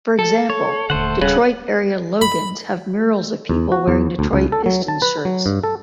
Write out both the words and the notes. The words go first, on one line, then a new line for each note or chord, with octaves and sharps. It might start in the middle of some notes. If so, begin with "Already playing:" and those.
For example, Detroit area Logan's have murals of people wearing Detroit Pistons shirts.
A4
C#5
D#1 D3 A3 C5 F#5
D1 C#3 G3 B4 F#5
B5
E2
F#4
E2
D2
C#2
A4
F#3
A5
B4
F#3
G2
A4